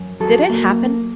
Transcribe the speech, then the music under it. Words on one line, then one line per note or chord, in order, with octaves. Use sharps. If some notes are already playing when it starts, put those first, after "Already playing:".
Did it happen?
Already playing: F#2
F#3 A4
A#3